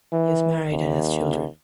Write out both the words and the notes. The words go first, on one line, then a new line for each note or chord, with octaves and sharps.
He is married and has children.
E3
D#2